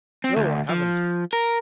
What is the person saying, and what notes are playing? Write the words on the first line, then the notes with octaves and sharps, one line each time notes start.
'No, I haven't.
C4
D2
F3
A#4